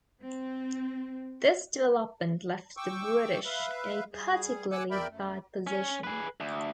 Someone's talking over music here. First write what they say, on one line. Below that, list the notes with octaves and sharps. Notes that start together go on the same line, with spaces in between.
This development left the British in a particularly bad position.
C4
G5 C#6 D6 E6
B4 E5 F5
G3 G#4
F#5 G#5 D6 E6 F#6
E2 A#4 D5 E5 G5 B5
F#2 A3
C#4
G#4 B4
D2